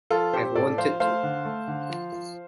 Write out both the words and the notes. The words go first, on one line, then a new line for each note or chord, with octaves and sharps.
I've wanted to.
F3 F4 A4
C4 G4 C5
A2 A4 D5
F3 C5 F5
A3 C5 F5
D3
A3
D3
F3
F3